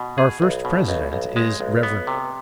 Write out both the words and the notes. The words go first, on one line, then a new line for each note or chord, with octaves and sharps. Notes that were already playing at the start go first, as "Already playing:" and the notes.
Our first president is Rev.
Already playing: B2
G#4
B1
B2
B1
B1
G#3
B1
B3
C3